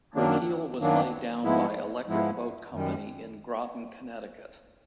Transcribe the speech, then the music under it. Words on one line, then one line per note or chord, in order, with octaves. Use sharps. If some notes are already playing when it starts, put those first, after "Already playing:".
Her keel was laid down by Electric Boat Company in Groton, Connecticut.
F#2 D#3 F#3 A#3 D4
F#2 D#3 F#3 A#3 D4
G#2 F3 G#3 B3 E4
G#2 F3 G#3 B3 E4
F#2 D#3 G3